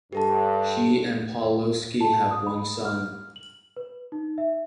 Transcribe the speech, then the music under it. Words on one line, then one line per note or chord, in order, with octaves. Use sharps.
She and Pawlowski have one son.
G2 G4 A4 A5
A5
D#6
B5
F6
F#7
B4
D#4
E5